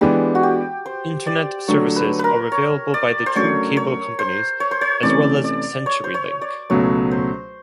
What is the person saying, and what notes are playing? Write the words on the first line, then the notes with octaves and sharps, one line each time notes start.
Internet services are available by the two cable companies, as well as Centurylink.
E3 G#3 B3 D4 G4
F#4
G4
C5
D5
D3 F#3 A3 D4 C#5
B4
A#4 B4
C#5
D5
C5
C#3 F#3 A3 D4 F#4 C#5
C#5
C5
C#5
C5
C#5
C3 E3 A3 C#4 D5
D5
C#5
C5
C#5
D5
C#2 B2 F#3 A3 C#5
C5